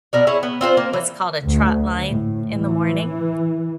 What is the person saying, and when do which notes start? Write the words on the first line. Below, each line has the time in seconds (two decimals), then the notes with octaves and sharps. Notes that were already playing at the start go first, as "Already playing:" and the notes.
what's called a trot line in the morning
0.13 B2 A#4 D5
0.27 E4 G#4 C#5
0.43 B3
0.61 C4 F4 G#4 C5
0.77 A#3
0.93 E3
1.44 D2
2.08 A2
2.53 E3